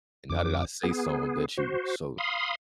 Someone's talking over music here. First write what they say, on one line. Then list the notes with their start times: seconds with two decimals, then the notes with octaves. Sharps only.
and now that I say something that you so
0.30 F2 D6
0.83 B3 G#4
1.57 F#4 C5
2.18 F5 B5 C6 D#6